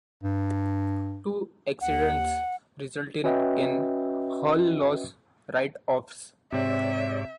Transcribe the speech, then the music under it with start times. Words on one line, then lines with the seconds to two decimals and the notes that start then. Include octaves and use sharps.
Two accidents resulted in hull loss write-offs.
0.23 G2
1.81 D#2 F#5
3.24 C#4 F#4 B4 D#5 E5 G5
6.52 G#2 C3 C4 C#5 D5 E5